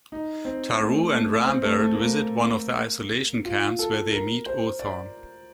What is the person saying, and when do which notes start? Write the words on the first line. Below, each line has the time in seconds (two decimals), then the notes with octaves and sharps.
Tarrou and Rambert visit one of the isolation camps, where they meet Othon.
0.12 D#4
0.45 C4
0.79 A3
1.12 A3
1.45 C4
1.62 A3
1.79 A3
1.95 A#3
3.45 F4
3.79 A4
4.13 A#4
4.46 C5
4.79 D5